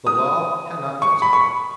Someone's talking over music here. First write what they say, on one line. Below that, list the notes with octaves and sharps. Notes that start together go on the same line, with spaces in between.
The Law cannot justify.
D#6
C#6
B5
C#6